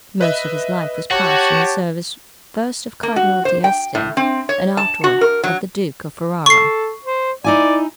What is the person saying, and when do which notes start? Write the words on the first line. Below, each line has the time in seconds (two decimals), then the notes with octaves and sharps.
Most of his life was passed in the service first of Cardinal d'Este, and afterward of the Duke of Ferrara.
0.21 B4 D#5 E5
1.11 F#4 G4 C#5 F#5 A5
3.03 A#3
3.16 F#4
3.45 C5
3.64 G5
3.95 A2
4.17 C4
4.49 C#5
4.77 A5
5.04 F#4
5.21 A#4
5.43 F#3
6.46 A4 C#6 C7
7.04 C5
7.44 D#4 E4 D5 G#5